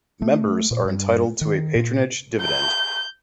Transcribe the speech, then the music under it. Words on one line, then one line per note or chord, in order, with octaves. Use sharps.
Members are entitled to a patronage dividend.
A3
A#2
G2
D#3
A#2
G6